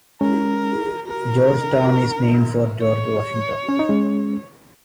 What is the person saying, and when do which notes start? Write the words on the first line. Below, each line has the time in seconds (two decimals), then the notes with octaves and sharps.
Georgetown is named for George Washington.
0.21 G#3 C#4 A#4
1.07 A#4
2.81 C#5
3.69 C#4
3.79 D#4
3.89 G#3 C#4